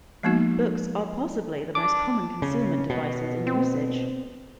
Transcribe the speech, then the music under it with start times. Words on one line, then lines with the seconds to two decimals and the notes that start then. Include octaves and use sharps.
Books are possibly the most common concealment devices in usage.
0.23 F3 G#3 A#3 B3 D#4 F#4
1.75 D4 D6
2.42 C#3
2.90 B2
3.47 C4